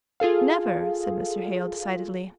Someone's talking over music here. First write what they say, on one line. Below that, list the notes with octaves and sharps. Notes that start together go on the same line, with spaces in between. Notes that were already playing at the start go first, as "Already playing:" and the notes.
'Never!' said Mr. Hale, decidedly.
F4 G#4 A4 F5